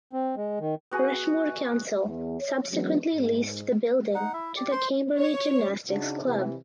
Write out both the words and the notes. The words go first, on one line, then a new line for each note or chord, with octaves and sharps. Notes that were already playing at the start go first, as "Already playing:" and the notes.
Rushmoor Council subsequently leased the building to the Camberley Gymnastics Club.
C4
G#3
D#3
B3 F#4 G#4
E2
C#5
E3 F#3 G#3 B3 C#4 D4
G#2
D#4 F#5
E4 E5
G4 D5
C5 C6
C#5
C#3 D4 D#4 F#4
C3 E3